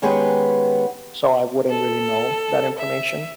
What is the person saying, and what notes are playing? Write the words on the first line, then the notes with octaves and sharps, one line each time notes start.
so, I wouldn't really know that information.
D#3 G#3 B3 C#4 G4 B4
A4
E5